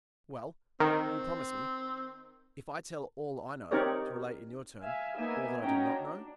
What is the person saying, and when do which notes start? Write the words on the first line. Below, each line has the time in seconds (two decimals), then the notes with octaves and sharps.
"Well, you promise me, if I tell all I know, to relate, in your turn, all that I do not know?"
0.80 D#3 C4
3.71 C4 D#4 G4 A#4 C#5 D5
4.84 E5 F5 G#5
5.18 A#3 B3 D#4 E5 G#5
5.61 C#4 D#4 F#4 C#5 G5 A#5
5.94 D4